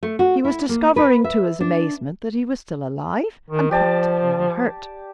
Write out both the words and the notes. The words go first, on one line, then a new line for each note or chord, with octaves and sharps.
He was discovering, to his amazement, that he was still alive and practically unhurt.
A3
F#4
E4
A#3
B4
E5
D4
D#3
F3 G4 D5 A5